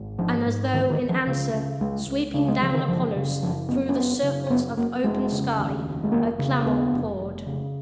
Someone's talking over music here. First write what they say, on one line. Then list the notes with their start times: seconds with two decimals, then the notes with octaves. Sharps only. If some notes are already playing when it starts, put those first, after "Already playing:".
And as though in answer, sweeping down upon us through the circles of open sky, a clamor poured.
Already playing: G#1
0.18 G#2 F3
0.46 G#2
0.73 C#2 D#3
0.90 D#3
0.99 C#2
1.09 F3
1.27 C#3
1.54 C#3
1.81 C#2 G#3
2.07 C#2
2.34 C#3
2.48 G#3
2.61 C#3 F3
2.74 D#3
2.88 F#1 F3
3.16 C#3
3.42 F#2 F3
3.69 F#1 B3
3.89 C#4
3.96 F#1 B3
4.23 C#3
4.50 F#2 B3
4.77 F#1 A#3
5.03 F1 G#3
5.32 C#3
5.58 D#2
5.85 F1
6.04 G#3
6.11 F1 A#3
6.39 C#3
6.66 D#2 B3
6.93 F1
7.20 F1
7.46 C#3